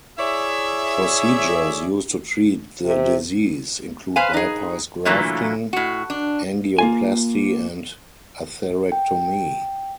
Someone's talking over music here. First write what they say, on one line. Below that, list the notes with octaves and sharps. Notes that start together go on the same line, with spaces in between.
Procedures used to treat the disease include bypass grafting, angioplasty, and atherectomy.
E4 G#4 C#5 D5 E5
C3
B4 C5 F5 G#5
D#4 G#4
A#2 D3 E3 F#3 A3 A#3
A2 F#4
D4
A#3 F4 G#5
G5